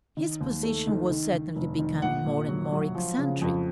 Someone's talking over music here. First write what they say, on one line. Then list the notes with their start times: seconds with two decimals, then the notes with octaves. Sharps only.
His position was certainly becoming more and more eccentric.
0.17 D#3
0.41 D#2
0.63 A3
0.87 D#3
1.10 D#3
1.33 D#3
1.56 F1
1.79 D#3
2.02 A#1 F#5
2.26 A#1
2.49 F#3
2.72 F#3
2.95 F3
3.18 C#3
3.42 F2